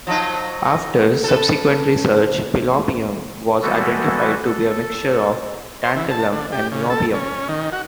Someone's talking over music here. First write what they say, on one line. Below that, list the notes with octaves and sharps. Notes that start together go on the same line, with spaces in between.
After subsequent research pelopium was identified to be a mixture of tantalum and niobium.
F3 F#3 D#4
A4 B4
E3 G3 G#3 B3 F#4 A4
A4
C5
E3
A5
D3
G4
C#3
A4
C#4
D#3
F#4